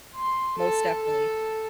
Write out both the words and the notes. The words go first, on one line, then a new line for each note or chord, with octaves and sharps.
Most definitely.
C6
A4
A4